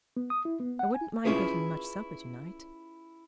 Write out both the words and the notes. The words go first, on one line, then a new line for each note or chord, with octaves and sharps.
I wouldn't mind getting much supper tonight.
B3
D#6
E4
B3
F#5
G#5
C#4 E4 F4 G#4 B4